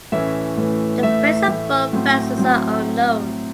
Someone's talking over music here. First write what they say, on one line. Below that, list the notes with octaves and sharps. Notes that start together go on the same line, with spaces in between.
The fates of both vessels are unknown.
A2 E3 A3 C#4 E5
A2 E3 A3 C#4
A2 E3 A3 E5
A2 E3 A3
A2 F#3 C4
A2 F#3 C4